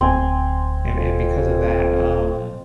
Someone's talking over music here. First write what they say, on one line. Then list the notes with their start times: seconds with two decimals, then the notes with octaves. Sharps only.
and and because of that, um,
0.01 D1 C4 G#5
0.97 F2